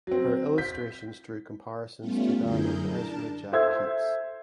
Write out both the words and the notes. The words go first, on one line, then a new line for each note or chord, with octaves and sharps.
Her illustrations drew comparisons to that of Ezra Jack Keats.
F#3 C4
G6 B6
G3 A3 B3 C#4 F4
F#2 D3 E4 G#4 A#4 G6
D4 A#4 A5
A4 C5 E5 E6 G#6